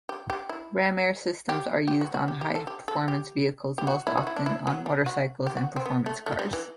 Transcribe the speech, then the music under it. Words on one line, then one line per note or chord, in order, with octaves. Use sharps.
Ram-air systems are used on high-performance vehicles, most often on motorcycles and performance cars.
G4
G4
E4
G4
G4
F#4
F#4
G4
G4
A4
G4
A4
G4
G4
F#4
E4
F#4
E4
D4
E4
F#3
G3
F#4
G4
F#4
C4
B3
A3
A3
G3
E3